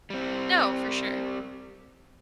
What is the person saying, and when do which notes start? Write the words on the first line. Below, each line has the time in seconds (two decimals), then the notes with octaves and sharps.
No, for sure.
0.10 G3 C4